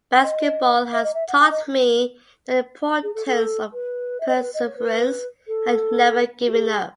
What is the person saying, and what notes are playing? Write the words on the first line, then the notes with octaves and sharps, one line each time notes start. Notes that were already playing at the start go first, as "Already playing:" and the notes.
Basketball has taught me the importance of perseverance and never giving up.
D#5
E5
D#5
E5
F#5
G#5
D#5
G#4
A4
A4
B4
E5
D#5
C#5
B4
D#5
C#5
B4
A4
F#4
G#4